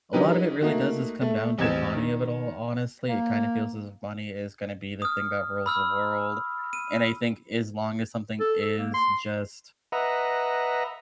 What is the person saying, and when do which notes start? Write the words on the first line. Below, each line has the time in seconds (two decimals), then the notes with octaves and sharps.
a lot of it really does just come down to economy of it all, honestly. It kinda feels as if money is gonna be the thing that rules the world. And I think as long as something is just
0.13 F#3 C#4 D#4 G4 A#4 B4
0.62 A3 A#3 D#4 F#4
1.21 A3
1.58 A1 E2 C4 G#6 E7
1.95 D#3
3.08 A#3
5.02 D#6 F6
5.66 B5 E6 F6
6.73 D#7
8.40 A4
8.61 A4
8.78 A#3
8.94 C6
9.92 B4 D#5 E5 F#5 A#5